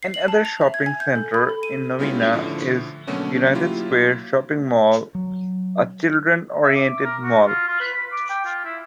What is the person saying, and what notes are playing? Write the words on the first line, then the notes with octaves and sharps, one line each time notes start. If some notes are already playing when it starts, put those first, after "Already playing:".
Another shopping centre in Novena is United Square Shopping Mall, a children-oriented mall.
C7
F#7
A5
F7
E5
G#6
G#5
G6
A4
B5
A4
D#7
G3 G#3 B3 C#4 E4 F4
A2 D3 F3
B2 D3 F#3 A3 A#3 C#4
F#3 A#3 E4 F4 G4
F#3
E5
D6
A#4
F#4
F4
F4
B4
B5
D6
G5
F4
E4